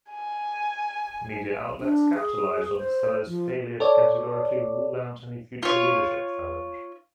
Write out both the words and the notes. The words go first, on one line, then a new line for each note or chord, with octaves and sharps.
Media outlets capitalised on Costello's failure to categorically rule out any future leadership challenge.
G#5
D4
G#4
C5
F3
A4 C#5 D5
F4 C#5